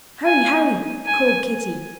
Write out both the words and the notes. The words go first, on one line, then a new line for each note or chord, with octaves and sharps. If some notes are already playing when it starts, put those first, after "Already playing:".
"Hurry, hurry!" called Kitty.
G#5
G#5